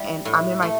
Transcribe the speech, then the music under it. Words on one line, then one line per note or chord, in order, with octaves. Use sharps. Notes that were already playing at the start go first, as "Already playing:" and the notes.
and I'm in my
Already playing: G3 E4
A2
A3